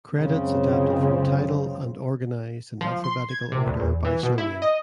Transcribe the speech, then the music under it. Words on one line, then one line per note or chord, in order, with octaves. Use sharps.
Credits adapted from Tidal and organized in alphabetical order by surname.
C#2 F#2 C#3 C4
F3
C6
G#6
C3
D2
E2
E3
B2
E4
D#5